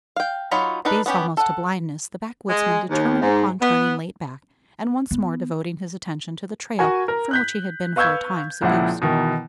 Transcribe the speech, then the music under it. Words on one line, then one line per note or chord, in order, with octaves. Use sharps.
Dazed almost to blindness, the backwoodsman determined upon turning late back; and once more devoting his attention to the trail from which he had been for a time seduced.
F5 G5
F#3 D#4 F4 C#5 B5
D4 D#4 A#4 B4
B3 C#4 G4
A4 F#5
G#3
D#2
G#2
B3
B3
F#4 A#4 G#5
A#4
F#6 G6 B6
B4 F5 C#6 E6 G6 G#6
C#2 A#2 F3 E4 F#5
B2 D#3 E3 A#4